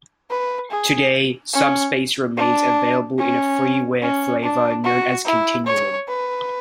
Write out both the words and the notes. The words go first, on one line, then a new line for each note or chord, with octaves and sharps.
Today, Subspace remains available in a freeware flavor known as Continuum.
B4
G#4
C#4
D4
C#4
C#4
D4
F#4
E4
C#5
B4